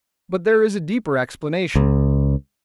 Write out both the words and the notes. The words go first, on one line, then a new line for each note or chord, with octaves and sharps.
But there is a deeper explanation.
C#2